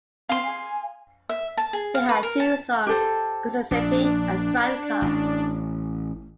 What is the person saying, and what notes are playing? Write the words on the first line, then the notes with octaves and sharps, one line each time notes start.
They had two sons, Giuseppe and Franca.
C4 F5 C6
G#5
E5
A5
G#4
F5
B4
A#4
A5
G4 A4 C5
A#1 D4
A1